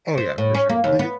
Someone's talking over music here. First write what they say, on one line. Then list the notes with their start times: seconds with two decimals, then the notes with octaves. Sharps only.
Oh, yeah, for sure. The
0.18 C5
0.38 A2
0.54 C#4
0.69 A#3
0.84 D#2
0.99 B3